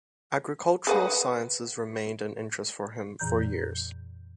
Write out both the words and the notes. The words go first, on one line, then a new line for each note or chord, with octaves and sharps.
Agricultural sciences remained an interest for him for years.
G#4 B4 F#5
F2 A#2 E3 A#5 G6